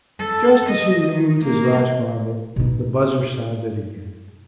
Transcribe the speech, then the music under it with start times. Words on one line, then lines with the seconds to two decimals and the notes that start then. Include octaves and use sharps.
Just as he removed his last garment, the buzzer sounded again.
0.20 A4
0.70 D#5
1.13 D#3
1.45 A#3
2.56 B2 D#4